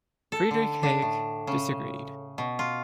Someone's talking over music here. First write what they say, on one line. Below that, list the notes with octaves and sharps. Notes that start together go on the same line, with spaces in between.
Friedrich Hayek disagreed.
A4
D3
D4
A2
C#3
B2
F4